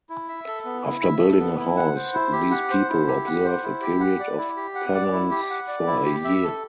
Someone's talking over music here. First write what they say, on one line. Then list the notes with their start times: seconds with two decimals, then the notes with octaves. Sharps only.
After building a house, these people observe a period of penance for a year.
0.10 E4
0.28 E5
0.47 A4
0.65 B3
0.84 E4
1.02 E5
1.21 A4
1.40 B3
1.59 E4
1.76 F#5
1.96 C5
2.14 E4
2.32 G4
2.51 F#5
2.70 C5
2.89 E4
3.07 G4
3.26 F#5
3.44 C5
3.63 E4
3.82 G4
4.00 F#5
4.20 D5
4.38 E4
4.56 G4
4.75 F#5
4.94 D5
5.12 E4
5.31 G4
5.50 F#5
5.68 D5
5.87 E4
6.05 G4
6.24 E5
6.43 A4